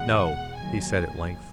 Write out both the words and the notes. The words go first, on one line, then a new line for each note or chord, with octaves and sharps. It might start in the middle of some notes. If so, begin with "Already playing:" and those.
"No," he said at length.
Already playing: E2 B2 G#3 F#5
D#2 D#3 F#3 G#5